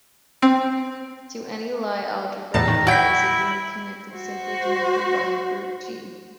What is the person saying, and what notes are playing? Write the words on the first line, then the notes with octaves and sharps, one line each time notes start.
To any Lie algebra, there is a unique connected, simply connected Lie group "G".
C4
E2 A2 A5 A#5
D#3
E4 F#4 G5 G#6 B6
F#4 C5